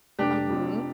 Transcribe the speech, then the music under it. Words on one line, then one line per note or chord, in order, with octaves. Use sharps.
Uh, hmm.
F1 D4 G4
F2